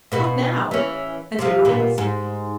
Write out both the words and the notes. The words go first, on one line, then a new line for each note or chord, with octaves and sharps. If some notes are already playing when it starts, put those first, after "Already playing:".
"Not now," answered Myles.
B2 B3 F#4
E3 C#4
C3 F3
A#2 B3
G#2